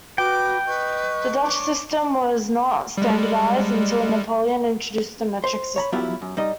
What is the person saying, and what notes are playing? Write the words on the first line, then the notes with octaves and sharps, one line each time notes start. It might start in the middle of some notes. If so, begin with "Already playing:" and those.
The Dutch system was not standardised until Napoleon introduced the metric system.
F#4 B4 G5 D6
B4 D#5 C#6
D4 C#5 D6
G3 G#3
C5
C#5 A#5 B5
F#3 B3 E4 F4 G4
F#2
G3 D#4 D#5